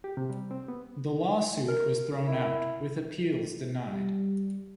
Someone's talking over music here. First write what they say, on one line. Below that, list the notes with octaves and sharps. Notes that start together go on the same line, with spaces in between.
The lawsuit was thrown out, with appeals denied.
G4
C3
G3
C4
B3
A#4
E4
G3